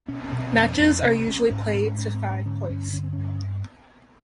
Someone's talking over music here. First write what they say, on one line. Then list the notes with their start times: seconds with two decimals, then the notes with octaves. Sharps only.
Matches are usually played to five points.
0.08 B2 C#4
0.24 C#4
0.32 B2
0.40 C4
0.56 F2 C#4
0.79 F2 C#4
1.03 C3 C#4
1.20 C4
1.27 C3 C#4
1.50 G#2 C#4
1.67 C4
1.74 G#2
1.82 C#4
1.98 G#2 C#4
2.14 C4
2.22 G#2
2.30 C#4
2.45 D3 C#4
2.70 G2 C#4
2.93 D3 C#4
3.03 C4
3.13 G2 C#4